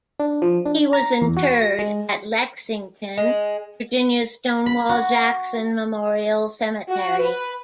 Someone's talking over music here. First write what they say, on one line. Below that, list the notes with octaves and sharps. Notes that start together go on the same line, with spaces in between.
He was interred at Lexington, Virginia's Stonewall Jackson Memorial Cemetery.
D4
F3
D4
A#5
E2
F#4
A#6
G#3
G#3
B5
F#4
F#4
B4